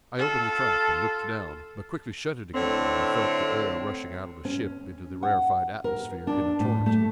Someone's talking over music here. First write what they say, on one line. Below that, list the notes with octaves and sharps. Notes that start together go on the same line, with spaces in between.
I opened the trap and looked down, but quickly shut it again when I felt the air rushing out of the ship into the rarefied atmosphere in a torrent.
F4 A4
A2 D3 C4 C#5
C#4
F#5
A#4
D4
A2
A3